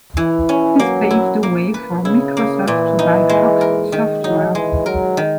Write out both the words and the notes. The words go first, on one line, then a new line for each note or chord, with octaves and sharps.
This paved the way for Microsoft to buy Fox Software.
E3 E4
C#4
F#3 A#3
E4
A#3
B4
C#3 E4
A#3
A#2 E3
D#4
G#3
A#4
D#3
F#3 D#4
E3 G#3
F#3 A#4
D#3